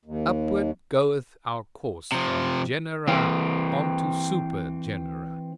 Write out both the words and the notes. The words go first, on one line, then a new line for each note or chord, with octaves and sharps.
Upward goeth our course from genera on to super-genera.
D#2
C3 F3
E3 C4